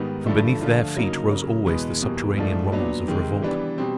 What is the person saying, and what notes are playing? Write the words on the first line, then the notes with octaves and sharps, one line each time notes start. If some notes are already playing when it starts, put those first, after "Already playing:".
From beneath their feet rose always the subterranean rumbles of revolt.
Already playing: G#2 D#3 G3 B3
G2 D3 F3 A3 D4
D3 F3 A3 D4 F4
C#3 F#3 A#3 D#4
C#3 F#3 A#3
E2 B2 G#3 B3
E2 B2 G3 A#3
G#2 F3 A3 D4
A#2 F#3 B3 D4
C3 D#3 G#3
E3 G3 B3 D4
B2 G3 C4